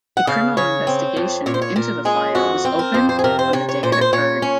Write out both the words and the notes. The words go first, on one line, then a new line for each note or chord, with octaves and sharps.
A criminal investigation into the fire was opened on the day it occurred.
F#5
C#3 F5
C#3 C#5
C4
F2
A#2 C#5
C5
C#5
A#2 A#4
G#3 G#4
F2 F#4
C4
A#4
F2 C5
C5
G#4
C3 A#4
C5
C3 C#5
C#5
A#2 C5
C#5
C5
A#2 C#5
C#4